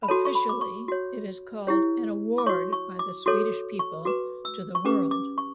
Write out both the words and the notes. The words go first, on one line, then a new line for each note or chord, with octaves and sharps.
Officially it is called "An award by the Swedish people to the world".
B5
F#4 A4 C#5 A5
C#6
B5
D6
C#6
F#4 C#5
E4 G4 C#5
D6
F#4 C#5 C#6
C#6
D6
F#4 A4 C#5 D6
C#6
F#4 B4 D6
E6
C#6
C#4 G4 B4 D6
D6
C#6